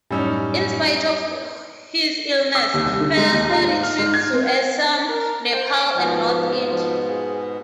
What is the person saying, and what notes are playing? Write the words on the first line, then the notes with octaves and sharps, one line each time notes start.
In spite of his illness, further study trips to Assam, Nepal and North-India.
F#2 A2 G3 C#4 D#4 E6
E6
D#2
C2
D3
G#3
D#2
F4
G#2
F6
G#2
G#6
C4
A#4
C5 G5
G#2 B2 F3 B3
F3
G#4